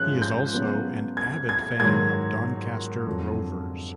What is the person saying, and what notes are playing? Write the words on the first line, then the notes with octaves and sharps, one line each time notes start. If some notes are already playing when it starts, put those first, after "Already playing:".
He is also an avid fan of Doncaster Rovers.
Already playing: G#2 F3 G#3 C#4 F#6
G6
C#3 F#3 B3
G#6
G#6
G#2 D#3 F#3 G#6
F2 D3 F#3